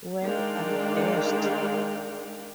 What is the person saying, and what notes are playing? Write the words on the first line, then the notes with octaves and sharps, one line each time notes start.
Well, I'm dashed.
D#3 G#3 D4 D5 F5 G5